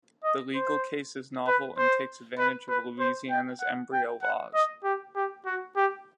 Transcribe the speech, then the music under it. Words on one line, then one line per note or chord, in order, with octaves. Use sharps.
The legal case is novel and takes advantage of Louisiana's embryo laws.
D#5
C5
B4
C5
B4
B4
C5
G5
F#5
G5
F#5
D#5
G4
G4
F#4
G4